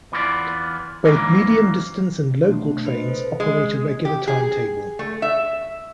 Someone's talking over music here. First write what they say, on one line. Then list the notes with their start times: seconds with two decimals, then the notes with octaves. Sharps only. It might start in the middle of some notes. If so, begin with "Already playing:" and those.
Both medium distance and local trains operate a regular timetable.
0.12 E2 E3 B3 E4 F4 D5
1.03 D#2 G#2 D#3 E3 A#3 C#4
2.43 B2 A3 D4 C6
2.86 B4 C5 D#5
3.05 A4 C5
3.40 G#3
4.05 G4
4.27 G#4
4.99 A3
5.22 E5